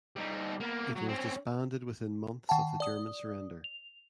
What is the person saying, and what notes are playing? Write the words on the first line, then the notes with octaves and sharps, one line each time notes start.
It was disbanded within months of the German surrender.
G3 D#4
A#3 B3
F#3
C4 C#4
D#3 F#5 G5 A5
D5 D#6
F7